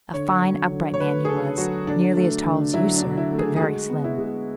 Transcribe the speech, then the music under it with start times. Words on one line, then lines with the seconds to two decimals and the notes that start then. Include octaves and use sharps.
A fine, upright man he was, nearly as tall as you, sir, but very slim.
0.13 D3 C#5
0.42 F#3
0.71 D3
0.94 C#5
1.00 A3 B4
1.25 G#4
1.28 D3 A4
1.58 F#3 F#4
1.87 D3 D4
2.16 A3
2.45 D3
2.74 F#3 E4
2.96 D4
3.02 D3
3.17 E4
3.32 A3
3.38 G#4
3.56 G#4
3.60 G#3 F#4
3.90 B3
4.04 E4
4.18 G#3